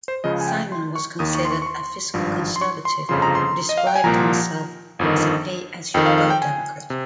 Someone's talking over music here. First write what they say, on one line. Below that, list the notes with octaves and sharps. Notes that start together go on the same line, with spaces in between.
Simon was considered a fiscal conservative, who described himself as "a pay-as-you-go Democrat".
C5
C#2 C#3 F3 D#5
G#5
G5
C6
C#6
D#2 D#3 D#6
C#6
C6
C#6
C#6
C6
G#1 G2 F3
C6
C#6
C6
G1 F2 C#3 F3 C6
A#5
C6
D#5
F5
G5
G#5
C2 A#2 F3 A#5
G1 F2 D#3
F2 D#3 G5
F5
F5
G5
G#5
C3